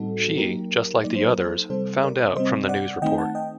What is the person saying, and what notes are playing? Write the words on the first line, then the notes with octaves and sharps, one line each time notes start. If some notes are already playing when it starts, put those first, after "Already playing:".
She, just like the others, found out from the news report.
Already playing: A2 G3 C4 D#4 F#4 A4
F#3 A#3 D#4 G4 A#4
F#3 A#3 D#4 D5
C5
A#4
A4 C5
C3 G3 C4 A4 C5
A#4 D5
C3 G3 C4 C5 D#5
D5 F#5
D#3 A3 C4 D#4 D#5 G5
F#5 A5
D#5 G5